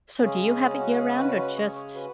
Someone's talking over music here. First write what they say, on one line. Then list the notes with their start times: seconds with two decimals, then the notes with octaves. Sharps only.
so do you have it year round, or just
0.21 C#3 G#3 C#4 G#4
0.79 F#4
0.98 G#4
1.18 F#4 B4
1.36 F#4 B4
1.56 G#4 C#5
1.75 G#4 C#5
1.95 F#4 B4